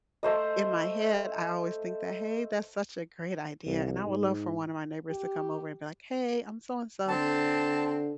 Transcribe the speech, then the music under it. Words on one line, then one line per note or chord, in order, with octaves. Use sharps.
In my head, I always think that, "Hey, that's such a great idea," and I would love for one of my neighbors to come over and be like, "Hey, I'm so and so
A3 C5 D#5
C2
G#2
G4
D3 C4 A5